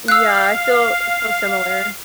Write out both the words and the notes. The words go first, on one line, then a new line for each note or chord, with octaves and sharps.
Yeah. I feel I feel similar.
F5 E6 F#6